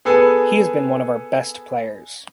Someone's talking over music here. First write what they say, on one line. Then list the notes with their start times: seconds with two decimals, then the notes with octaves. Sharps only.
He has been one of our best players.
0.05 B3 G#4 A4 B4 G#5